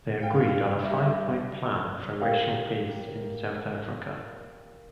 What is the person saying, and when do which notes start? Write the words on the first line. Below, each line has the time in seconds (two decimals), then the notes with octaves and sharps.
They agreed on a five-point plan for racial peace in South Africa.
0.22 F5 G5
0.83 G2 G4 E5
2.20 G4 A#4 F5 G5